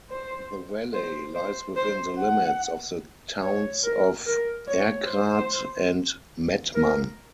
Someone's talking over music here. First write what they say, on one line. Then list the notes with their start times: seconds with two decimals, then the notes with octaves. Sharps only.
The valley lies within the limits of the towns of Erkrath and Mettmann.
0.10 C5
0.94 C5
1.34 C5
1.76 C5
2.18 F#5
3.42 C#5
3.84 A#4
4.26 A#4
4.67 C#5
5.08 C5
6.74 A#4